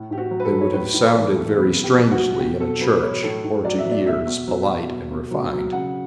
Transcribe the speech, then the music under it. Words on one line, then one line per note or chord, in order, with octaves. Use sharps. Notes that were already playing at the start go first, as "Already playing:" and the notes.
They would have sounded very strangely in a church, or to ears polite and refined.
Already playing: A2
A2 G4
F#4
F#3
B4
A4
F#3
C#5
A2 B4
A2
A4
E3
A4
E3
B2 B4
B2
G4
F#3
F#4
F#3
B2 G4
B2 A4
F#3 B4
F#3 C#5
A2 A4
A2
F#3 D5
E5
F#3
D5
B2 E5
B2
F#3
F#3
B2
B2
F#3
F#3
C#3 F#5